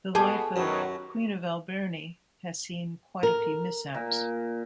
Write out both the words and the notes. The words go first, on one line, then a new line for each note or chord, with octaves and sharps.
The life of "Queen of Alberni" has seen quite a few mishaps.
B2 G4 G#4 G#5 A5
F#2 B2 D#3 F#3
A#4
A#2